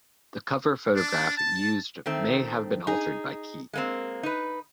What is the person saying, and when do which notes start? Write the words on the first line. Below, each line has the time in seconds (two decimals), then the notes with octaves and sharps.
The cover photograph used may have been altered by Key.
0.96 D4
1.37 A5
2.06 D#3 A3 C4
2.87 D#4 G#4
3.73 G#3 A#3 C4
4.23 D#4 B4